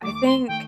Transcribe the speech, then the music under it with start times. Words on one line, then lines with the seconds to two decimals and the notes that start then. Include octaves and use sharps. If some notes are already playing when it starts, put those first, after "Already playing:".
I think
0.02 D#2 D#3 A3 D6
0.14 D6
0.25 C6
0.47 D#3 A3 G5